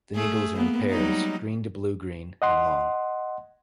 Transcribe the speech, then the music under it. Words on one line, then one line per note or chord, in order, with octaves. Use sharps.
The needles are in pairs, green to blue-green, and long.
A3 G#4
A#3 B3
F#3 G3 D#4
D#5 F#5 C6